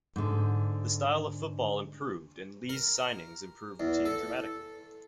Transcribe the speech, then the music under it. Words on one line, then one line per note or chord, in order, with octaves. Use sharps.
The style of football improved and Lee's signings improved the team dramatically.
G#2 D3
A#4
E2
A4